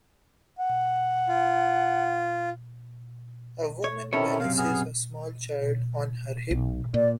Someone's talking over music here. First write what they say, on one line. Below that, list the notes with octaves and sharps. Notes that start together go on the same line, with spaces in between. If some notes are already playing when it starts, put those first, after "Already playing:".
A woman balances a small child on her hip.
F#5
F4
C#5
C3 D#3 C#4 E4 A4 C#5
F#2 C3 F5
B3 G#4 F6
B1
A#2 D5